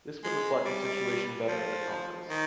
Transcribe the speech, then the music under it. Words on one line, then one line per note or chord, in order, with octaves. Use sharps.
This would reflect the situation better at the Conference.
G#3
G3
F3
D#3